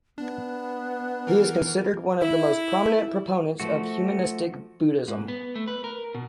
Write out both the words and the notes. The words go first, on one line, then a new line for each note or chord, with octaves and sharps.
He is considered one of the most prominent proponents of Humanistic Buddhism.
B3 D4
E3 A#4
E4
F3 A3 F#4
G#2
B3
A3
B4
A#4
B2